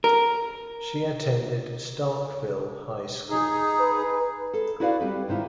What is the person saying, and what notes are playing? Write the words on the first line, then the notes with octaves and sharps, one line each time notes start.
She attended Starkville High School.
A#4
D#4 G#4
B4
A4
E4 F#4 B4 D5 F5
G3 C4 B4
G#2 C3 D#3 E4 F4